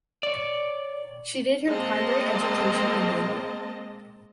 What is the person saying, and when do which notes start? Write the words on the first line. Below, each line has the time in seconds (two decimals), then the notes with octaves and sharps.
She did her primary education in Bangalore.
0.23 C#5 D5
1.66 G#3 A#3 C4 D#5 A5